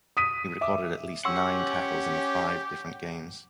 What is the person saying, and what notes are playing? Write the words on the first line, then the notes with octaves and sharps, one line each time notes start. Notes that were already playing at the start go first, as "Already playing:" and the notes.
He recorded at least nine tackles in five different games.
D#6 B6 D#7
E5 D6
C#4 G4 F#5 C6 C#6 E6